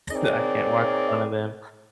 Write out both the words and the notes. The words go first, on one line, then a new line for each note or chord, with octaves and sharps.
that I can't watch in front of them.
C4 D#4 G#4 A#4 C#5 D5